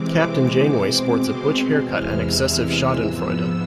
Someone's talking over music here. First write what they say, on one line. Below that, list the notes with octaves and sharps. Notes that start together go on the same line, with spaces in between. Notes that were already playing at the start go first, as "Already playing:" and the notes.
Captain Janeway sports a butch haircut and excessive schadenfreude.
Already playing: C3 E3 G#3 C4 D6
B2 G#3 C4
C6
E2 C3 E3 G#3 F6
E6
F6
E6
G#2 F3 B3 E6